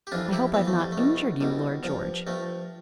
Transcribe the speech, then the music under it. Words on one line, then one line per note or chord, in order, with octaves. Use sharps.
"I hope I have not injured you, Lord George."
G4
F2 E3 D4 F4
E4 G4
F2 E3 B3
A3
G3
A3
C2 B2
C2 B2 G3
G2 F3
G2 F3 A3